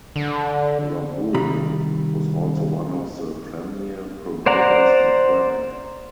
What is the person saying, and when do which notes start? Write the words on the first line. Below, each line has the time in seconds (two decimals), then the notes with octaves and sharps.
Rougeau was also one of the premier promoters in Quebec.
0.16 D3
1.34 C3 D#3 G3 A#5 B5
4.46 C5 D5 F#5 A#5